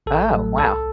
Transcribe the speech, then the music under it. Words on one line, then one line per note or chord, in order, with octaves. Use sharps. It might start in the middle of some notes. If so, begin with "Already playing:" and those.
Oh, wow.
A1 A4
A2 F#3 A3
C2 A4